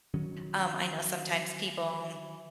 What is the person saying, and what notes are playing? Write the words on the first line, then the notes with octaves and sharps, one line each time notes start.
um, I know sometimes people,
D#3 F#3 C#4